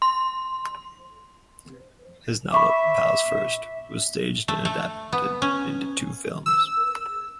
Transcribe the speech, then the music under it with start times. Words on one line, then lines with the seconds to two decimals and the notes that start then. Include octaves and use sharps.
His novel "Pals First" was staged and adapted into two films.
0.02 C6
2.52 E5 B5 C#6 D6
4.48 A3
4.65 A3
5.13 B3
5.42 C#4
6.46 E6